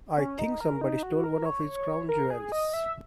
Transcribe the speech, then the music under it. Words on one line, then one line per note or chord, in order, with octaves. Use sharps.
I think somebody stole one of his crown jewels.
C#4
D#4
A#4
D#4
F#4
A#4
C#5
A#4
G#4
D#5
E5